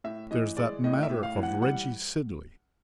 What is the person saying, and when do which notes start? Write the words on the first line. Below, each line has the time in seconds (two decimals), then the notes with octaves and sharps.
There's that matter of Reggie Sidley.
0.04 A2 E5
0.31 E3 D#5
0.57 G#3 D5
0.84 A2 D#5
1.03 E5
1.10 A2
1.23 F5
1.36 E3
1.43 F#5
1.62 G3 F#5